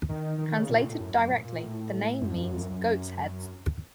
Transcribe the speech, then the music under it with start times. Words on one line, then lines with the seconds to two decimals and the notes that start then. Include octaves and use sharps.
Translated directly, the name means "Goats' Heads".
0.09 D#3
0.38 D#3
0.48 D#3
0.59 C#3
0.69 A#2
0.84 A2
1.00 F#2
1.14 F#2
1.30 A#2
1.44 A#2
1.61 A2
2.22 F#2
2.31 F2
2.42 F#2
2.52 F2
2.61 F#2
2.71 F#2